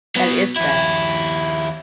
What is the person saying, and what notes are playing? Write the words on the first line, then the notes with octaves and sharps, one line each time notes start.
That is sad.
F#3 B3
D#2 E4